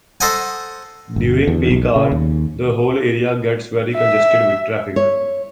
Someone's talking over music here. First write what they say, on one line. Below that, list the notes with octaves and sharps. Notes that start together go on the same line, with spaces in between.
During peak hour, the whole area gets very congested with traffic.
A4 C5 D#5 F#5 G#5
G1
E2
B1
C#3
D#2
E5
C#5